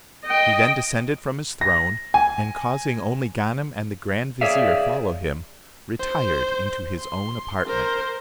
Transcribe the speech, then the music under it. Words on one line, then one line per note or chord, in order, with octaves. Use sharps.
He then descended from his throne, and causing only Ganem and the grand vizier, follow him, retired into his own apartment.
D#5 G5
A#6
G#5
G#4 C#5 D5 E5 F5
C5
C6
A#4 C5